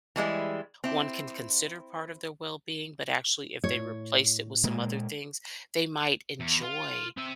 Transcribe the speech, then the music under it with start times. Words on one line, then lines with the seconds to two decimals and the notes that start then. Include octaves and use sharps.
one can consider part of their well-being? But, actually, if they replace it with some other things, they might enjoy
0.16 E3 G3 G#3 E4
0.84 C4 E4
3.64 A2 C#5
4.64 A#2 G#3 A#3
6.40 E2
6.62 F4
7.18 C4 E5